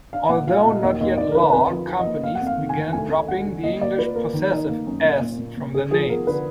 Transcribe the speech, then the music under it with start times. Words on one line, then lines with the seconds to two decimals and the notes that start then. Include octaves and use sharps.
Although not yet law, companies began dropping the English possessive "s" from their names.
0.13 D4 F5
0.29 A#2 F#5
0.47 F4 F5
0.65 A#2 D#5
0.83 D#2 D#5
1.01 D#2 D#5
1.18 D#2 D5
1.31 A#4
1.35 D3 B4
1.53 F2 B4
1.71 F3
1.88 F4
1.99 D#5
2.05 A#3
2.22 A#3 F5
2.35 F#5
2.41 F2
2.47 F5
2.58 D#3
2.69 G#5
2.76 D#3
2.92 D2 G#5
3.10 D2
3.28 D2 F#5
3.46 D3
3.63 A#3 D#5
3.81 A#3 D5
3.98 F4 B4
4.15 A#3 A#4
4.33 D#3
4.51 D#4
4.68 A#3
4.87 F#2
5.04 A#2
5.21 A#2
5.39 A#2
5.57 A#2
5.73 D3 G#4
5.91 F3 G#4
6.10 B3 A#4
6.27 D3 B4